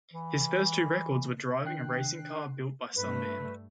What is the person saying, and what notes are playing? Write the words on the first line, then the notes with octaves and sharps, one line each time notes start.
His first two records were driving a racing car built by Sunbeam.
E3
D#3 D4 G5 F#6 C7
G2 A3 B4